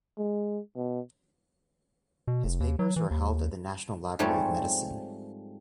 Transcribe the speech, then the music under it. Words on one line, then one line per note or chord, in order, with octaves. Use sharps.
His papers are held at the National Library of Medicine.
G#3
B2
B2
F1
D#2
F#3
E3
D#2
G#2 F3 G3 A3 C4 C#5